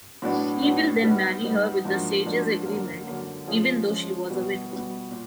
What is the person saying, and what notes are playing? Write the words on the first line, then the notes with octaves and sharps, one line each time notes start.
He will then marry her with the Sages’ agreement, even though she was a widow.
A2 F#3 B3 D4
A2 F#3 B3 D4
G3 B3 D#4
G3 B3 D#4
G#2 F3 A#3 D4 F#4
G#2 F3 A#3 D4 F#4
F#2 D3 F#3 A#3
F#2 D3 F#3 A#3
F3 G#3 C#4 F4 G#4
F3 G#3 C#4 F4 G#4
B2 G3 B3
B2 G3 B3
A#2